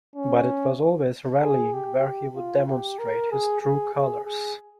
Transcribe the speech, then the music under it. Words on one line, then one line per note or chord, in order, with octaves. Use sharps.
But it was always rallying where he would demonstrate his true colours.
C#4
G#4
G4
F4
G4
A#4
G#4
G#4
G#4
G#4